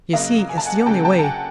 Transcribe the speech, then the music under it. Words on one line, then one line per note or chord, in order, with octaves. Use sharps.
You see it's the only way.
C#3 F#3 A#3 D#5 F5
G#5
A5
F#5 G#5
C#3 F#3 A#3 G5 A5
G5 A5
A5
F#5 G#5